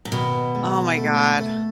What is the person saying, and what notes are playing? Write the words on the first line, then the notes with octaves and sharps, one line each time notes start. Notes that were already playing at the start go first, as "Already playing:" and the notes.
Oh my god.
A#2
B2 D#3
G#2
A3
A3